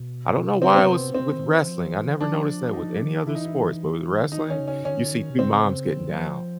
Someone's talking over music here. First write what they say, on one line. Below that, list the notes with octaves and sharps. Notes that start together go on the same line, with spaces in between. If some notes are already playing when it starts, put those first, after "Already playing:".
I don't know why it was with wrestling, I never noticed that with any other sports, but with wrestling, you see pe moms getting down.
Already playing: B2
B2
C3
C#3 C4
B3
C4
C#3
C3
C4
D#3
E3
F3
E3
F3 D4
D#4
E3 E4
D#4
E4
D3
D#3 D#4
C#4
C#3
C#4
D3 C#4
D#3
D3
D#3
C3
C#3 C4
C#3
D3
F#3
F3